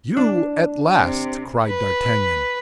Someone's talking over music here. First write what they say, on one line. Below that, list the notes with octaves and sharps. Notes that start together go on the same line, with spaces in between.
"You at last?" cried d'Artagnan.
D4
C3
B4